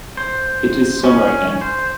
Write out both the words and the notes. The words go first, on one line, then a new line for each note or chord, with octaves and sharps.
It is summer again.
C5
C#4
C5